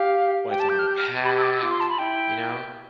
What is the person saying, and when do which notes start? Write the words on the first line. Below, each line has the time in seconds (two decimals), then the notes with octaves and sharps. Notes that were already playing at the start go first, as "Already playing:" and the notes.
What if they wanna pack, you know?
Already playing: G4 F5
0.51 G4 G5
0.60 A5
0.69 G6
0.79 F6
0.87 G6
0.98 F6
1.24 G4 B5
1.37 E6
1.43 D6
1.53 E6
1.61 F4 D6
1.71 C6
1.80 A5
1.89 B5
1.98 E4 G5